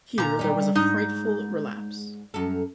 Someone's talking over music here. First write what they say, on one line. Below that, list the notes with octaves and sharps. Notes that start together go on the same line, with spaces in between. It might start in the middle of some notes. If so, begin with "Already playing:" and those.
Here there was a frightful relapse.
A#2 A#5
G3 D#4
G#2 D#4
F#2 A4